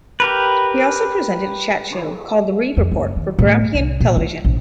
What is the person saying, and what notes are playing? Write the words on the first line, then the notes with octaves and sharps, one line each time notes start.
He also presented a chat-show called the "Reid Report" for Grampian Television.
G4 A#4 B4
F2
F#1
D#3
A2
C2
A#2
F4
A#1